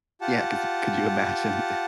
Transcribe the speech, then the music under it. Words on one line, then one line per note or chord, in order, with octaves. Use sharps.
Yeah, 'cause could you imagine
F4 G4 F#5 A5